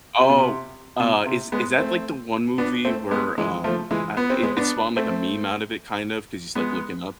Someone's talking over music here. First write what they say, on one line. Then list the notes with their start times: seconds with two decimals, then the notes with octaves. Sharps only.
Oh, uh, is is that, like, the one movie where, um, ah it it spawned, like, a meme out of it, kind of, 'cause he's, like, looking up?
0.20 C3
0.29 B2
0.38 C3
1.00 B2
1.26 C3
1.52 G#3 B3
1.79 A3 C4
2.58 B3 D4
2.85 A3 C4
3.11 G#3 B3
3.38 E3 G#3
3.64 F3 A3
3.91 E3 G#3
4.17 B3
4.30 C4
4.43 G#3 B3
4.57 B3 D4
4.97 A3 C4
6.55 G#3 B3